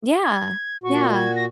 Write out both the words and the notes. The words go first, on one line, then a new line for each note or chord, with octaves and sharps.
Yeah, yeah.
G#6
A#2 F#4 C#6
G#6
A#6